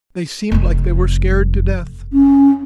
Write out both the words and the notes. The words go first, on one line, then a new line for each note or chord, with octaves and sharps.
They seemed like they were scared to death.
F1 F2
C#4